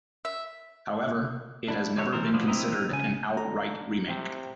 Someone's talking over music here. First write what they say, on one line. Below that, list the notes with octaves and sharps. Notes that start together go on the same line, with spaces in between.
However, it has never been considered an outright remake.
E5
D4 E4
D3 F#3 G#3 A4 C#5
E3 C4 A4 A#4 C5
F3 B3 D4 E4 F4
C4 E4 G4 A#4 B4 D#5
C#3 G#5
D3 A4 A#5
A2 C3 C4 G5